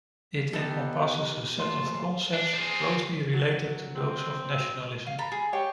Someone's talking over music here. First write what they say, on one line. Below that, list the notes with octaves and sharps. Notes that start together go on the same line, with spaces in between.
It encompasses a set of concepts closely related to those of nationalism.
B3 D#4 G4 A4
A#1 F#2 A3 F4 A5 C6
D4
C4 G#4
F#3
C4
F5
A4 A#5 B5
G#4
G4 C#5 G5